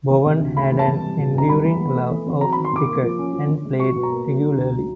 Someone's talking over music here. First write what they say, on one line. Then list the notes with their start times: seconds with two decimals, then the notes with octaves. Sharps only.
Bowen had an enduring love of cricket, and played regularly.
0.10 E3
0.26 C3
0.41 D2
0.56 A3 B5
0.72 E3
0.79 A5
0.87 C3
1.03 G3
1.19 B2
1.34 C#2 A#5
1.49 G3 B5
1.64 E3
1.79 B3
1.95 A3
2.11 E3
2.27 C4
2.41 F#3 A#5
2.53 B5
2.57 D#3
2.65 C6
2.73 C3 D6
2.87 A#3
3.02 F3
3.18 C#4
3.33 F3
3.49 D3
3.65 G#3
3.80 F#3 C#6
3.95 B2
4.03 A#5
4.11 A#3
4.26 F#3
4.42 D3
4.57 D2
4.73 F#3